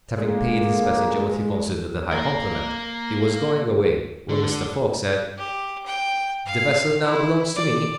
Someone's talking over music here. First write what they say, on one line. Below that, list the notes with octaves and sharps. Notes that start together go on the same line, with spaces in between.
And, having paid his passenger what he considered a high compliment, he was going away, when Mr. Fogg said, "The vessel now belongs to me?"
A#2 D3 G#3 A#3
A#3 A#4
D3
G4
G5
F5
E4
D5